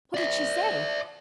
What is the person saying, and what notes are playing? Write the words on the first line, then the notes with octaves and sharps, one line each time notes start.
"What did she say?"
D5 E5